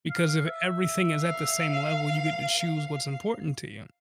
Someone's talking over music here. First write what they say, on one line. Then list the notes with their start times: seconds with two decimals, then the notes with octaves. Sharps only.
Because if everything is at the same level, you get to choose what's important to you
0.10 F5
0.29 F5
0.46 E5
1.21 F5